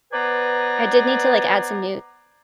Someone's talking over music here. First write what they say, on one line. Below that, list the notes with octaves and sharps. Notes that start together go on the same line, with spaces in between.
I did need to, like, add some new,
B3 B4 C5 D5 G#5 A#5